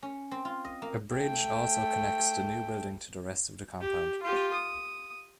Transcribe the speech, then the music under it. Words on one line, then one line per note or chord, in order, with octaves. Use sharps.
A bridge also connects the new building to the rest of the compound.
C#4
C4
F4
D#5
A#3
A3 G5
G4
F4 G4
D#6